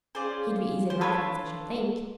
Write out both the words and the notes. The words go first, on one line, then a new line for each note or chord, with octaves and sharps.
He'd be easy to recognise, I should think.'
C#4 F4 G#4 C5 D5
C5
D4 F4 A4 B4 C#5